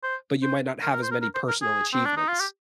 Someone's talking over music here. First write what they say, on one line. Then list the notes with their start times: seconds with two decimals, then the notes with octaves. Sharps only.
but you might not have as many personal achievements,
0.04 C5
0.43 C5
0.82 A#4
0.93 A#4
1.03 C5
1.12 A#4
1.22 A#4
1.35 C5
1.48 A#4
1.62 G#4
1.93 C4
2.05 D4
2.17 D#4
2.29 F4
2.40 G4